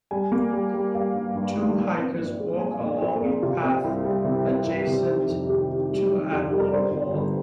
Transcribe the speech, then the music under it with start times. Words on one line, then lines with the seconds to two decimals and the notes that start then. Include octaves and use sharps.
Two hikers walk along a path adjacent to an old wall.
0.11 G3 G#5
0.32 A#3
0.53 G3
0.74 G3
0.95 G3 F5
1.15 G2
1.35 G2
1.57 D#3
1.77 A#2
1.98 C4
2.18 A#1
2.40 G#3
2.59 G#3 G#5
2.74 F5
2.81 A#2
2.88 D5
3.02 A#1 C5
3.16 A#4
3.22 C4 G#4
3.43 C3 F4
3.63 C4
3.84 C2
4.05 G3
4.24 C3
4.46 C4
4.67 C2
4.87 C3
5.07 D#3
5.28 F2
5.49 D#3 G4
5.69 D#3
5.90 G3
6.11 D#3
6.32 F2 F4
6.52 G3
6.60 A#4
6.68 D5
6.73 G2 C5
6.94 G1
7.15 G1